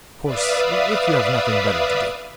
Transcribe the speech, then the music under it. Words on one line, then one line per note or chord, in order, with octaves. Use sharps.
Of course, if you have nothing better to do.'
B4 D5 E5 F5 D#6